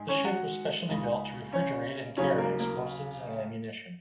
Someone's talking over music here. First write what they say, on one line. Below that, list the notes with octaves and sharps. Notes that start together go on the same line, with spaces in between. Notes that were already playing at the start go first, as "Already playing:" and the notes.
The ship was specially built to refrigerate and carry explosives and ammunition.
Already playing: G#2 G#3
C#4 C#5
F#4 F#5
C#2 C#3 G#3 D#4 D#5
C#4 C#5
D#2 C#3 F#3 C#4 C#5
A#3 A#4
A#3 A#4